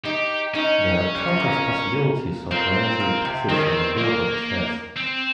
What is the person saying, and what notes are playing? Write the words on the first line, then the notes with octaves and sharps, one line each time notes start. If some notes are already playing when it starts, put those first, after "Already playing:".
There are countless possibilities of arranging pieces on a board of chess.
D#4 G4
C#4 D#4
G3
C3
A#2
A#2
A#2 C4
A#2
C3
D#3 C4
C#4
C4
A#3
C4